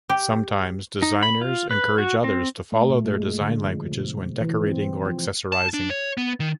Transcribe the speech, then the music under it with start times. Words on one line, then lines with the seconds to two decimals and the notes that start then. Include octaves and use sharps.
Sometimes, designers encourage others to follow their design languages when decorating or accessorizing.
0.09 G4
1.02 D#4
1.23 B5
1.41 F4
1.71 B4
1.98 F#4
2.24 C4
2.72 A3
2.90 A#2
3.05 G#3
3.40 D3
3.65 F3
3.92 B2
4.41 E3
4.66 C4
5.05 F3
5.52 A5
5.74 D4
5.90 C#5
6.17 B3
6.40 D#3